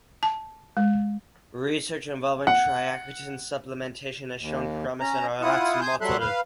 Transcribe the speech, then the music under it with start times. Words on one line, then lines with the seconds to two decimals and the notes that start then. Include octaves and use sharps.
Research involving triacetin supplementation has shown promise in a rat model.
0.23 A5
0.77 G#3
2.47 F#5
4.39 D#2
5.00 C#4 A#5
5.42 E4 F4 F#5 D#6
5.81 G#5 C6 D#6 G6
6.01 F#3 G3 A4 E5 C6 F#6
6.20 B4 F5